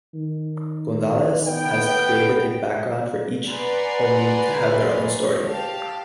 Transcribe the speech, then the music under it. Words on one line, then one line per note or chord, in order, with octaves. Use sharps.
Gonzales has created a background for each Homie to have their own story.
D#3
B3 G5
B4 D5 F#5 G#5 A#5 C6
G4 F5 A5